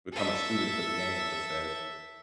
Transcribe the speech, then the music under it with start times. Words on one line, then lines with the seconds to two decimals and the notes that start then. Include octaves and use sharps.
become a student to the game per se
0.12 A4 E5